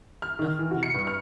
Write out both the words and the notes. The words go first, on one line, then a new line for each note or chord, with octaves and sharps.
Ah, yum.
F6
D#3
E3
F#4
C#7
G2
F6